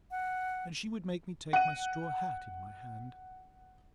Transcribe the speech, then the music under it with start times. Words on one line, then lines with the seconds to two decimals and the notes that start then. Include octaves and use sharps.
And she would make me take my straw hat in my hand.
0.11 F#5
1.53 F#5 D#7